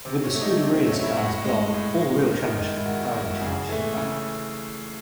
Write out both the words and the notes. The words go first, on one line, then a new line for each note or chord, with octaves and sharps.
With the Scuderia's cars gone, all real challenge to the McLaren charge had evaporated.
C3 C4
C#4
F#3 A3
D#4
C3
C4
F#3 A3 C#4
E4
A2 F#4
G#3
A2
G#3
D#3
D#4
G#3
E4
E4
D#3 F#4
F#4
G#3 E4
F#4
C#3 G#4
E3 A3 A4
C#3